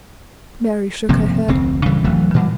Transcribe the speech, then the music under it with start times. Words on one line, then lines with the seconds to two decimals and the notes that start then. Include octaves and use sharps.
Mary shook her head.
1.09 G1 C3 F3 A#3
1.48 F1 D2 C4
1.86 D1 C#3 E3 G3
2.04 D1 E3 F#3 A3
2.34 A#2 E3 F#3 G3